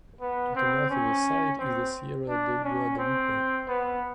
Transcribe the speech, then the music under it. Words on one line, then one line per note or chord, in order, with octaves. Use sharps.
To the north of the site is the Sierra de Guadalupe.
B3
C4
C#4
C4
D4
C#4
C4
B3